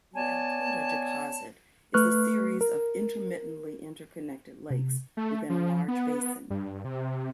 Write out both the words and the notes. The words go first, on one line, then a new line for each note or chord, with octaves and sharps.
The Alcoota deposit is a series of intermittently interconnected lakes within a large basin.
B3 C#5 D5 G#5 A5
A3 B4 C#6 F6 F#6
A#4
C3
A3
F3
B3
G2
C3